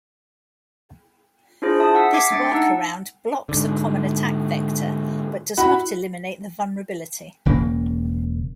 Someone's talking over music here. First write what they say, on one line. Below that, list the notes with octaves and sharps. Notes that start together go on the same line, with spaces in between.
This workaround blocks a common attack vector but does not eliminate the vulnerability.
D4 E4 F4 G#4 C5
E5 A5 D#6
F#5 D#6 E6 B6
D6 G#6 B6 C7 D7
A3 D4 A6 C#7 D7
D#4 F#5 E6
G#2 D3
E4 F#4 B5
E1 C#3 A#3